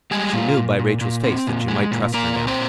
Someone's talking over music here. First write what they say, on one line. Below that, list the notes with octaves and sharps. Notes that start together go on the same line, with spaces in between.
She knew by Rachael’s face that she might trust her now.
G3 G#3 G#4
A#2 F4
A#2
A#2
A#2
C4
A#2
G#3
A#2
A#2 A#3 A#4
A#2
C4 C5